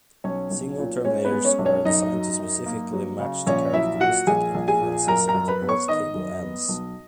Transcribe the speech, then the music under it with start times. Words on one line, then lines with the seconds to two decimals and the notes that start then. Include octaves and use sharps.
Signal terminators are designed to specifically match the characteristic impedances at both cable ends.
0.24 B1 C#4 C#5
0.51 B1
0.78 A#2
1.04 G#3 C#4 C#5
1.25 B3 B4
1.32 G#3
1.45 C#4 C#5
1.59 B1
1.65 C#4 C#5
1.85 F#2 D#4 D#5
2.12 F#3
2.39 F#2
2.66 A#3
2.93 F#3
3.20 C#3
3.47 A#1 C#4 C#5
3.73 F#3 E4 E5
4.00 A#2 F#4 F#5
4.27 A#1 G#4 G#5
4.55 A#1
4.68 G#4 G#5
4.81 A#2
5.07 F#2 A#4 A#5
5.28 A#4 A#5
5.34 F#2
5.48 B4 B5
5.62 B3
5.68 C#5 C#6
5.88 D#3 D#5 D#6
6.15 F#2
6.43 B3
6.69 B1